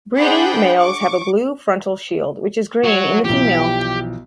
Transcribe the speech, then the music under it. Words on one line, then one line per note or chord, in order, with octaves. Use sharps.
Breeding males have a blue frontal shield, which is green in the female.
D4 G#4 C5 F#5 G5 B5
C#6 D6
F#4 C#5
B1 E3 F3 G4